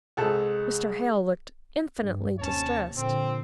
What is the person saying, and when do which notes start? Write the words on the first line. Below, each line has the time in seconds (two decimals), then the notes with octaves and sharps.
Mr. Hale looked infinitely distressed.
0.17 C2 G#3 G#4 A4 A5
2.01 G2
2.39 D#2 C3 C#4 C#5 A5
2.96 A#2 D3 F3 C4